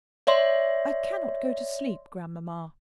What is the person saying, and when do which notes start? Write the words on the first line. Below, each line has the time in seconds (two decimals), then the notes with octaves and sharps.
"I can't go to sleep, grandmamma."
0.27 C#5 D5 E5 C6